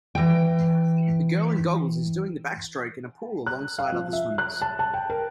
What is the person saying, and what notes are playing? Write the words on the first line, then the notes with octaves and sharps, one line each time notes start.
A girl in goggles is doing the backstroke in a pool along side other swimmers.
E3 G5
F#6
F5
F3
E5
F#6
A5
A5
G5
A#4